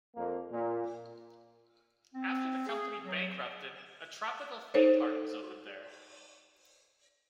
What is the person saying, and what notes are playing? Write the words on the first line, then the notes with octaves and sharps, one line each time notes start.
After the company bankrupted, a tropical theme park was opened there.
F2 A#3
A#2
C4
G#4
F#3
D#4 A4 C5 C#5